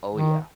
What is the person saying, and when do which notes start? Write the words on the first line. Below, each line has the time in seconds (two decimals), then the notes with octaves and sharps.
Oh, yeah.
0.14 D#3